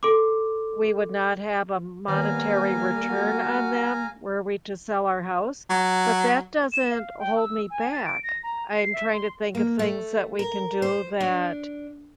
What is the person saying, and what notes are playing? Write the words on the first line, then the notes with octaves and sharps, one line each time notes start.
we would not have a monetary return on them were we to sell our house, but that doesn't hold me back. I'm trying to think of things that we can do that
A4 C6 D6
D#3 G3 A#3 B3 B4 F5 G#5 A#5
F#4
F#3
E7
F5
G5
E6
G#5
A6
D7
A#6
A#5
C7
E5
C6
A#3
A3
A#4
C5
D4